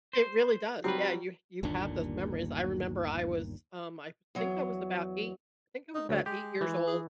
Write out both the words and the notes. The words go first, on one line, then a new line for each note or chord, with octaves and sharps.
It really does, yeah, you you have those memories. I remember I was, um, I think I was about eight I think I was about eight years old,
C5
F#3 G3 C4 B4
G1 D#2 A#2 D4
E2 F#3
D#4
D2 F#3
G#3 G4
E3
G#4